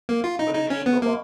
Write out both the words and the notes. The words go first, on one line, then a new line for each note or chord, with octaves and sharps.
but an angle of
A#3
F4
D#4
D#4
C#4
B3
A#3